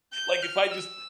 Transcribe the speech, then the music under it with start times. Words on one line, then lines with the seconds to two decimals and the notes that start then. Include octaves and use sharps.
Like, if I just
0.13 G6
0.42 F6
0.71 E6